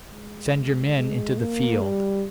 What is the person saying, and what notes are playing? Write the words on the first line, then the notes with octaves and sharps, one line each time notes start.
Send your men into the field.
G#3
G#3
A#3
G3